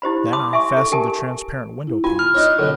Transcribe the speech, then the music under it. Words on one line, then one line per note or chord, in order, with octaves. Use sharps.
Then I fastened the transparent window panes.
E4 G4 C5 B5
A5 B5 C6 D6 D#6
E5 G#5 C6 C#6 D#6
A4
G4 A#4 G#5 A5
E4
F4 G#5
F6
D4 D#4 C#5
F#2 B2 D3 A4